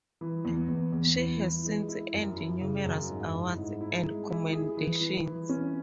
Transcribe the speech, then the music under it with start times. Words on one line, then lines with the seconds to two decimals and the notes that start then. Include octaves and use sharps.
She has since earned numerous awards and commendations.
0.21 E3
0.45 E2
0.68 E2
0.93 E2
1.17 E3
1.41 E3
1.65 G#3
1.89 E4
2.14 F#2
2.37 E4
2.61 C#3
2.85 F#2
3.10 G#2
3.34 E4
3.57 G#2
3.81 E4
4.06 G#3
4.30 E4
4.53 G#4
4.77 E3
5.01 E3
5.25 E3
5.49 C#4